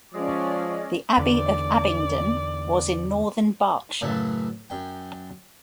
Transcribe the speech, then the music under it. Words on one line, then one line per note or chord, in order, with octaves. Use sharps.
The Abbey of Abingdon was in northern Berkshire.
F3 G#3 C#4 D5
E2 D3 D5
F#2 A2 C#3 E3 F#3 A3
F#2 G5